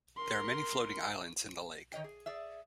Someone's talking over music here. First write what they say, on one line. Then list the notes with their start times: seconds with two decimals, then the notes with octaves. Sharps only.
There are many floating islands in the lake.
0.17 A#4 C6
1.92 D#3 C#5 D#5 G5
2.04 G#4
2.26 G#4 D5 E5